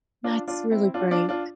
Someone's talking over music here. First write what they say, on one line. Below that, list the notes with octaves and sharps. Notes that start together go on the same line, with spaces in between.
That's really great.
D4 F4
D4 F4
C4 E4
D4 F4
D4 F4
D4 F4